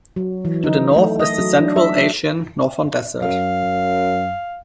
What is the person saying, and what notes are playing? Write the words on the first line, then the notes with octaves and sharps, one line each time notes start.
To the north is the Central Asian northern desert.
F#3
E3
D#4
A3
D#5
F#3
D4
E5
F#2 F5